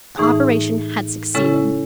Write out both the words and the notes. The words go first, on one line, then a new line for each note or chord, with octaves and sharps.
The operation had succeeded.
A2 E3 A3 D#4 G#4
C#3 G#3 C#4 E4 A4